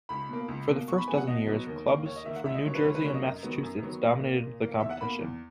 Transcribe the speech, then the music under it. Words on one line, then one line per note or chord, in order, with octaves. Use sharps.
For the first dozen years, clubs from New Jersey and Massachusetts dominated the competition.
C#2 B5
B2 A#3
C#2
B2 A#3
B2 C#6
B5
F#3 B3 G#5
F#5
B2 D#5
F#3 B3
D#2
D#3 A#3
D#2 C#5
D#5
D#3 A#3 E5
F#5
C#2 E5
D#5
C#3 F#3 A#3 C#5
B4
C#2 C#5
B4
C#3 F#3 A#3 C#5
D#5
F#2
D#3 F#3 B3
F#2
D#3 F#3 B3
A#2 D#5
A#3
A#2
A#3
E2 E5
F#5
B2 A#3 B5
E2